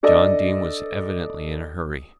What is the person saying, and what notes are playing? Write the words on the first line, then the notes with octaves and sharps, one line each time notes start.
John Dene was evidently in a hurry.
D4 A4 D5 D#5